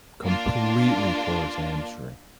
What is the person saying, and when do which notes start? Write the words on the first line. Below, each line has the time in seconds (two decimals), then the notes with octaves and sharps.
completely tore his hamstring.
0.22 A#3 D4 F4